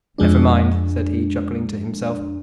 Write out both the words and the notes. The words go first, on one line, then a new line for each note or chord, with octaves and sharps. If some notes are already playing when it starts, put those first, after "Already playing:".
"Never mind," said he, chuckling to himself.
F2 G#3 D4